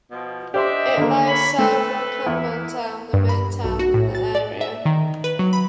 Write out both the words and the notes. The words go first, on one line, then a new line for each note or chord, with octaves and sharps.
It lies south of Campbeltown, the main town in the area.
B2 F3
D4 G4 C5 D#5 E5 C6
D3 A#3
C#5 B5
A3 A4 B4
E2 E4
G2
B5
B1
F#4
A2
A6
D5
E5
D#3
B4
F#3
B5